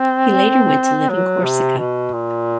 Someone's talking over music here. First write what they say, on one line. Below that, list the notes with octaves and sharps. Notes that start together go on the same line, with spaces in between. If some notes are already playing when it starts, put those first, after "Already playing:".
He later went to live in Corsica.
Already playing: C4
F#3
C3
B2
A#2